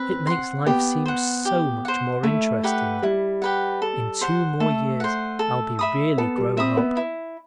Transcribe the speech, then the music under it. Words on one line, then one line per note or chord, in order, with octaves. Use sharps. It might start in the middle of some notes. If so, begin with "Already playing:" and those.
It makes life seem so much more interesting. In two more years I'll be really grown up.
Already playing: C4 B4
F#5 C6
B3 G4
C5 F#5
G4
C5 F#5
A3 E4
G4 B4 F#5
G3 E4
G4 B4 F#5
A4
C5 F#5
A3 A4
C5 F#5
A4
E5 B5 D#6
B3 A4
G3
C4 E5 B5 D#6
B3
E4